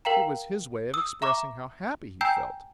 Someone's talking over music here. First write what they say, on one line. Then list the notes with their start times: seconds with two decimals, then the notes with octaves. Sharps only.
It was his way of expressing how happy he felt.
0.05 A#4 F5 G5 A#5
0.94 D#6 E6
1.22 E5 A#5 C#6 D6
2.21 G5 G#5 A#5 E6 G6 C7